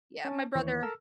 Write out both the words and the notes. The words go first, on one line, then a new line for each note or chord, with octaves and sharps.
Yeah, my brother
C#4 A5
D#2 E3 C#5
A4 A#4 E6 F6